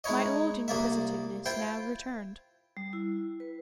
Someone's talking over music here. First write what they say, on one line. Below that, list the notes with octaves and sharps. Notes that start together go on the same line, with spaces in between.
My old inquisitiveness now returned.
G#3 D#4 E4 C#5 D#5
C2 A#3 F4 E5
E4 F4 C5 G5
G3
E4
B4